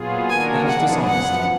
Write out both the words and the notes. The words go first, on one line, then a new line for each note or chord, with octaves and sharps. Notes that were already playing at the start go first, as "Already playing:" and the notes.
That is dishonest.
Already playing: A#2 F#3 B3 F4 G#4
D#3 A#3 D4 F#4 A#4 G#5
F3 B3 D4 G#4 F#5
F#2 F3 B3 F#5